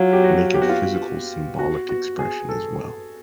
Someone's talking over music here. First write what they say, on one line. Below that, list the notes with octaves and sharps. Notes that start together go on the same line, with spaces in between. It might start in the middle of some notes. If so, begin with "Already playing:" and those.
make a physical symbolic expression as well?
Already playing: F#3 F4
G4
F#4
G4
F#4
F4
F#4
F#4
G#4
A4